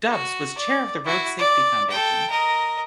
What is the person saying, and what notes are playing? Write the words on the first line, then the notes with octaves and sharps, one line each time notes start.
Dubs was chair of the Road Safety Foundation.
F#4
D5
E4 F#4
D5
A4 G5
A#4 D#5